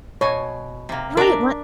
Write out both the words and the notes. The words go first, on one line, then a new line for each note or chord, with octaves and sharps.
Right. What
B2 C#5 G#5
C3 A#3
D4 A#4 D5 E5 A#5